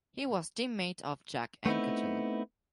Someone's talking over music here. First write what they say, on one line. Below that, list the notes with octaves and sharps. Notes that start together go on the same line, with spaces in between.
He was teammate of Jacques Anquetil.
A3 B3 C4 D#4 E4